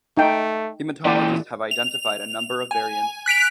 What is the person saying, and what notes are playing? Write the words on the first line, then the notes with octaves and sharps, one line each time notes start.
Haematologists have identified a number of variants.
A3 D#4 G5
A#2 E3 D5 G5
F7
G#5
F#6 B6 D7 F7